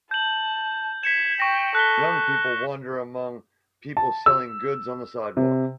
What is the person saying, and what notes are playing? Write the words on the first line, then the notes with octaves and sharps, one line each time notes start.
Young people wander among people selling goods on the sidewalk.
A5 G6 F#7
G#6 B6 C#7 E7
G5 C#6 A#6
A4 F#6 B6 G7
A5
E6
C3